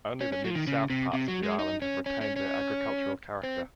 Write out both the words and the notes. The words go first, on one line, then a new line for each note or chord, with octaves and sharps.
Only the mid-south parts of the island have retained their agricultural character.
C#4
C#4
F#3
F3
D#3
C#3
C3
C3
F#3
G#3
D#4
C#4
C#4
C#4
C#4
C4